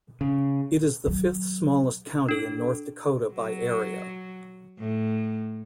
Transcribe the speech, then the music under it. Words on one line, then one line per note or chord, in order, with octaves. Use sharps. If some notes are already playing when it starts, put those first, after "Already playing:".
It is the fifth-smallest county in North Dakota by area.
C#3
D#3 F#3
D4 A4
F#3
A2